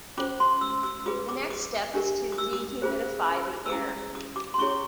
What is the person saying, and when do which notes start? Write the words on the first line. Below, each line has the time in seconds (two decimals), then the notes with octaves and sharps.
The next step is to dehumidify the air.
0.17 C#4 F4 A4 C5 D6
0.40 C6
0.61 E6
0.83 E6
1.06 F4 G#4 B4 D#6
1.29 D6
1.50 D#6
1.94 D4 G4 A#4
2.32 D#6
2.38 E6
2.53 D#6
2.82 C#4 F4 G#4 C5
3.66 E6
3.70 C#4 E4 G#4 D#6
4.15 D#6
4.36 D6
4.54 C6
4.58 C#4 E4 G#4 C#5 C#6